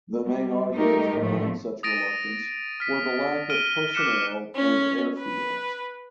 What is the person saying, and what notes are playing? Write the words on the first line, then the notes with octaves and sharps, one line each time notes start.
The main arguments behind such reluctance were the lack of personnel and airfields.
G3
G3 A3 D#4 G4 A#4
A2 F3 A3
D#6 A6 A#6 D7 D#7
F6 B6
F6 D7 D#7 G7
D6 F6 F#6 B6 C#7 E7
C#4
B4